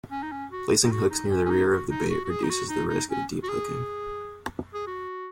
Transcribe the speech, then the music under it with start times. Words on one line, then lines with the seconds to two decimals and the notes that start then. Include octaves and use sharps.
Placing hooks near the rear of the bait reduces the risk of deep hooking.
0.11 C#4
0.23 D#4
0.32 C#4
0.52 F#4
0.85 D#4
0.91 F#4
1.11 D#4
1.31 C#4
1.46 C#4
1.51 D#4
1.70 F#4
1.90 D#4
2.11 F#4
2.25 F#4
2.30 G#4
2.43 D#4
2.50 F#4
2.70 D#4
2.90 D#4
3.09 C#4
3.43 F#4
3.49 G#4
4.74 G#4
4.87 F#4